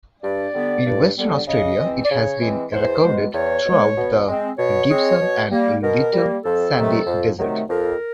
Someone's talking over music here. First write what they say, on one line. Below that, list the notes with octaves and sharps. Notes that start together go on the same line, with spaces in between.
In Western Australia it has been recorded throughout the Gibson and Little Sandy Desert.
G2 D5
D3 G3 B3
G2
D3 G3 B3
C#3 D#5
E3 G#3 C4
D5
C#3 C#5
E3 G#3 C4
E2 C5
B2 G#3
E2 C#5
B2 G#3
B2
G#3 C4
B2 C#5
G#3 C4
B2
G3 A#3
B2 A#4
G3 A#3
F2 A4
C3 D#3 F#3 A3
F2
C3 D#3 F#3 A3
F2 A#4